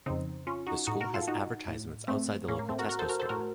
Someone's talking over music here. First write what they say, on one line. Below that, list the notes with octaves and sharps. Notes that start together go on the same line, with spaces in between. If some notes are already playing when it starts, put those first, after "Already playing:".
The school has advertisements outside the local Tesco store.
F2 C#3 C4 D#4
C#4 F4
D#4 F#4
A2 D#4 F#4
F#4 A#4
F4 A4
D#4 F#4
A2
A3 C4
A2 A#3 C#4
A#3
A3 C4
F#4 A#4
F#4 A#4
A4 C5
F#4 A#4
A4 C5
A2 F#4 A#4